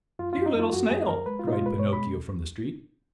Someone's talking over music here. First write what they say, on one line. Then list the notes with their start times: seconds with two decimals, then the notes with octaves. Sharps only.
"Dear little Snail," cried Pinocchio from the street.
0.19 F#2 F4
0.33 F#2 F4
0.46 D#4
0.55 F#2 F4
0.72 F#2 F#4
0.90 F#2 G#4
1.08 F#2 A#4
1.26 G#3 B4
1.39 F4
1.44 B2 D#4
1.53 F4
1.61 G#3 B4
1.79 B2 C#5
1.93 G#3 B5